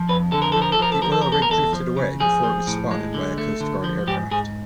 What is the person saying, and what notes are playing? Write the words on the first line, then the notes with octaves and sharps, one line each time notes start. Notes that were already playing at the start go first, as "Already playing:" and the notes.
The oil rig drifted away before it was spotted by a Coast Guard aircraft.
Already playing: F3
F2 B4
D3 A4
A#4
F3 A4
A#4
A4
F3 A#4
A4
F3 A#4
A4
E2 A#4
A4
A#4
E2 A4
F3
C#3
F3 G#4
F3
A2
G#3
D3
A3
D3
F3
G#2 G4
G#2 G#4